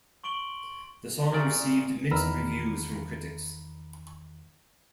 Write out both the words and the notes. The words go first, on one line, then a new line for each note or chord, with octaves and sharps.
The song received mixed reviews from critics.
C6 C#6 D7 F#7 G7
C2 A#2 C#3 D5
E2 D#3 A#5 B5 E6 F6